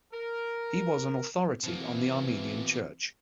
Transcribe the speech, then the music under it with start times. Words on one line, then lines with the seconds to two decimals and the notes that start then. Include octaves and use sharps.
He was an authority on the Armenian Church.
0.13 A#4
1.64 B2 E3 A#3 C4